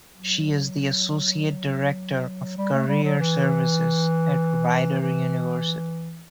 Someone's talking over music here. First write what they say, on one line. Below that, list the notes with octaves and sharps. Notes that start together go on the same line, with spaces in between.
She is the Associate Director of Career Services at Rider University.
F#3
G3
A3
G3
F#3
E3
E3